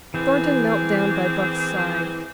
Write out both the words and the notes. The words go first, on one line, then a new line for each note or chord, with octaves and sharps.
Thornton knelt down by Buck's side.
E3 G#3 A#3 C4